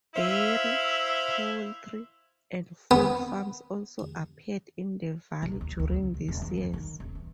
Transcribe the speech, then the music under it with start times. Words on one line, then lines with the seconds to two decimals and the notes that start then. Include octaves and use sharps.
Dairy, poultry and fur farms also appeared in the Valley during these years.
0.14 E4 C5 E5 F5
2.91 B3
5.43 B1
5.61 D#2
5.79 D2
5.94 C#2
6.14 E1
6.28 D#1
6.42 E3
6.57 F2
6.74 D#3
7.00 D#1
7.15 E3